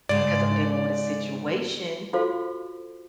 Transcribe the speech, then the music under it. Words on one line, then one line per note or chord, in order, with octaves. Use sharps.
because I'm dealin' with a situation.
G#2 C#3 D5
F4 F#4 A4 C5 F5